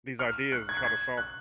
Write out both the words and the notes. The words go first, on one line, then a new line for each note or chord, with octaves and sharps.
these ideas and try to solve
F6
F#6
G#6
F#6
G#6
F#6